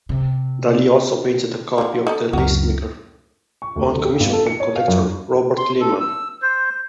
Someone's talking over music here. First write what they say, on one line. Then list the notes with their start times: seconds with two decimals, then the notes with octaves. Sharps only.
Dali also painted a copy of "The Lacemaker" on commission from collector Robert Lehman.
0.09 C3
1.78 D3 F3
2.07 D#4 A4 D#5
2.33 C#2 F#2 F#4 A#4
3.62 C#6
3.76 D2
3.93 D3
4.05 G4
4.20 G1
4.33 A4
4.47 C#7
4.60 C#5
4.76 F5
4.88 F#2
5.58 C6
5.80 A4
6.00 E6
6.42 C5